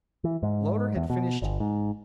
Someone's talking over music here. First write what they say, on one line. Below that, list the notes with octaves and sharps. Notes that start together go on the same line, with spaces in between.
Loder had finished.
E3
G#2
E2
B2
G1
G#2